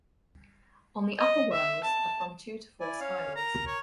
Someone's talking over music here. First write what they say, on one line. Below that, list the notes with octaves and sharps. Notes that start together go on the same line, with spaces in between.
On the upper whorls are from two to four spirals.
D#5
E5
A5
E4 D5 G#5
C#4 C#5 F5
A#4 A#5
C#5